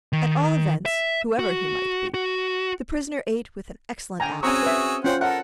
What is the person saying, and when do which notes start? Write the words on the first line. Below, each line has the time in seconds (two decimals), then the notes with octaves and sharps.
At all events, whoever he might be, the prisoner ate with an excellent appetite.
0.13 D#3
0.86 E5
1.39 F#4
2.14 F#4
4.20 D3 G5 G#5 A#5
4.43 C4 C#4 F#4 G#4 G#5 A#5 C#6 E6
4.63 B4 E5
5.04 C#4 F4 C5 F#5 G5 C6
5.21 A4 A#4 F#5